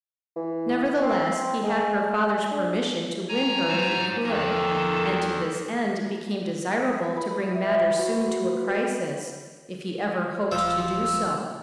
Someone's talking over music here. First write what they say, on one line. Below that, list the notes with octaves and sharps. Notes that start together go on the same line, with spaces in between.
Nevertheless, he had her father's permission to win her if he could; and to this end it became desirable to bring matters soon to a crisis, if he ever hoped to do so.
E3
C4
G#3
D4
C#5 G#5 A#5
F#3 D#4 C5
E2 F3 D#4 A4 A#4 G5
B4
D#6
E5
F#4
C6
B4
D#5
D#1 F3 E6